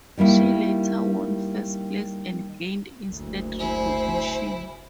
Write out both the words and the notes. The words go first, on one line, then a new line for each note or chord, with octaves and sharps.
She later won first place and gained instant recognition.
D#3 G3 A#3 E4
F#1 D2
E4 C5 G#5